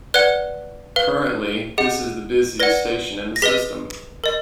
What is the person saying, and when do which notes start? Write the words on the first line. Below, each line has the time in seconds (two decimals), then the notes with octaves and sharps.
Currently, this is the busiest station in the system.
0.14 B4 D5 F#5 F#6
0.96 B4 F5
1.78 G#4 D#5 F#5
2.60 B4 D5 F#5 A#6
3.36 A#6
3.42 G#4 B4 D#5 B6
4.24 A#4 D#5